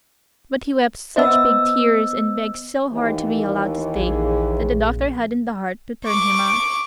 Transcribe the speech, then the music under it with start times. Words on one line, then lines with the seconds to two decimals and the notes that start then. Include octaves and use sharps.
But he wept such big tears, and begged so hard to be allowed to stay, that the Doctor hadn't the heart to turn him out.
1.16 B3 C5 D#5 E5 E6
2.92 D#2 E3
3.96 A#1 G#4
6.05 C#6 D6